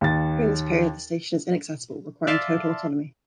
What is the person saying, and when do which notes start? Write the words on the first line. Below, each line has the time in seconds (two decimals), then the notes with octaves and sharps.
During this period, the station is inaccessible, requiring total autonomy.
0.01 D#2 A6
2.27 D5 E5 F5 A5 C6